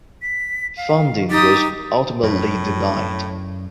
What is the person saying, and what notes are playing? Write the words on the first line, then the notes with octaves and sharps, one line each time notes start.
Funding was ultimately denied.
B6
F5
D#4 G4 D#6 A6
F#2 A2